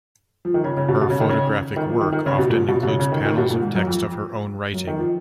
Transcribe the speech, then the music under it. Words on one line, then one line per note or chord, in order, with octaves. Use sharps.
Her photographic work often includes panels of text of her own writing.
F3
D#3
C#3
C#3
B2
B2
C#3
D#3
C#3
D#3
F3
D#3
D#3
C#3
B2
A#2
B2
B2
C#3
C#3
D#3
D#3
B2
A#2
G#2
F#2
F2
F#2
D#3
F3